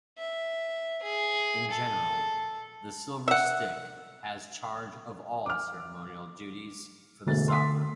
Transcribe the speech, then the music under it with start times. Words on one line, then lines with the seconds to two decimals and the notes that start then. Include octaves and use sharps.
In general, the Silver Stick has charge of all ceremonial duties for the Sovereign.
0.18 E5
1.03 G#4
1.71 A4
3.28 E5 F#5
5.46 D6 F6
7.27 E1 D3 A3 A6
7.48 C6 B6